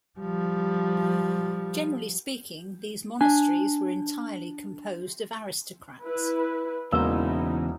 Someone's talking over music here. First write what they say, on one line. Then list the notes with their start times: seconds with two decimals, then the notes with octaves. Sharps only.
Generally speaking, these monasteries were entirely composed of aristocrats.
0.19 F3 G3
3.21 D4 G#5
6.03 E4 B4
6.92 E1 E2 C#3 A#3 D#4 E4 C5 E6